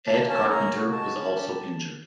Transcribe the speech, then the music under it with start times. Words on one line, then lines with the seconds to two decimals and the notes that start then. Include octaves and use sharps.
Ed Carpenter was also injured.
0.07 A#3 A5
0.28 C#4 A5
0.50 A#3 A#5
0.72 F#4
0.92 G#3 A5
1.14 C#4
1.34 G4